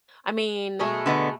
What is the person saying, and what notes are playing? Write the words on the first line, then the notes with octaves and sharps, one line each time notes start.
I mean,
B2 G#3 A3
D3 B3 D#5